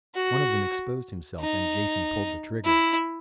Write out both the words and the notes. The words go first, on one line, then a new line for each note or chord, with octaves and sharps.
One of them exposed himself and Jason pulled the trigger.
F#4
D#4
E4